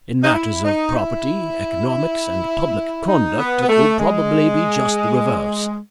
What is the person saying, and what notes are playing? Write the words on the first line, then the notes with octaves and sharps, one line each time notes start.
In matters of property, economics and public conduct it will probably be just the reverse.
D#4
E4
D#4
E4
D#4
B3
B3
A3
G#3